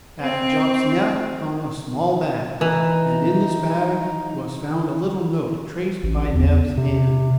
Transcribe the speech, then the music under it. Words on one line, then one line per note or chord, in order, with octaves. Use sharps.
At Jup's neck hung a small bag, and in this bag was found a little note traced by Neb's hand.
C4
E3 D#4
A1
E2
C3